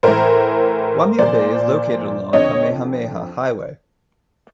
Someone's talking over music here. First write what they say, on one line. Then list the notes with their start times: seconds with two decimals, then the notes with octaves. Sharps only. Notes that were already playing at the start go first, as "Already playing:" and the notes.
Waimea Bay is located along Kamehameha Highway.
0.03 A2 E3 A#4 C5
1.18 A#2 F3 C5 D5
2.33 F2 D3 F3 C#5 D#5